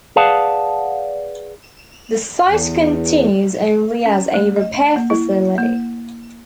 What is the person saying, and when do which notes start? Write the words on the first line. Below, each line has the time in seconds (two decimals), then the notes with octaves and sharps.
The site continues only as a repair facility.
0.16 G#4 B4 D5 F5 F#5 A5
2.45 E2
4.06 C#4
4.34 A3
4.56 D#5
4.96 A#3
5.10 E4
5.58 A#3